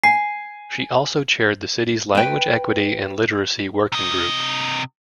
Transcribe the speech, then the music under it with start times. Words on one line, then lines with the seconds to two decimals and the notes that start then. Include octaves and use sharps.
She also chaired the City's Language Equity and Literacy Working Group.
0.04 G#5 C7
2.15 B4 G5
3.92 C3 D#5